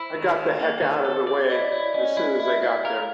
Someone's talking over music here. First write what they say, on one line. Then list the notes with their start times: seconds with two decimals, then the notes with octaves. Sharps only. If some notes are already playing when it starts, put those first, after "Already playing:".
I got the heck out of the way as soon as they got there.
Already playing: E4 C5
0.15 D#3
0.37 D#3
0.59 A#3
0.82 D#3
1.04 A4 C#5
1.27 D5
1.49 E4 D#5
1.60 D5
1.72 E4 C#5
1.82 D5
1.94 C#4 D#5
2.17 E4
2.40 E4 E5
2.62 E4
2.84 A#4 F5